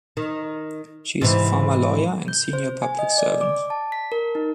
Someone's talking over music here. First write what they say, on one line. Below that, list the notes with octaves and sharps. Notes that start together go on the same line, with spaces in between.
She is a former lawyer and senior public servant.
D#3
G#2 C3 E3
G6
C5
G#5
D#5
D5
D6
A5
B6
A#4
D#4